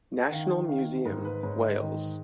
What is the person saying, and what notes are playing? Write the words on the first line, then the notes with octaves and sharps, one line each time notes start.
National Museum Wales.
F#5
D#3 F5
D#3 F5
G#2 A#4
B4
G#2 C#5
D#5
D#3